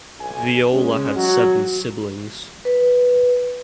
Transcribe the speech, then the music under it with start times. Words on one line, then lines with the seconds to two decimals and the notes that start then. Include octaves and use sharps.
Viola had seven siblings.
0.20 B1 G#5
0.72 G#3 C#4
1.15 F#3 F#4
2.65 B4